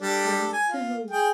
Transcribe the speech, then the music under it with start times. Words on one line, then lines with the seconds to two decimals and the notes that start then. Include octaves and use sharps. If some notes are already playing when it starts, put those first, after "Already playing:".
And so
0.02 G3 D4 A4
0.53 G#5
0.69 F4
1.11 G#4 G5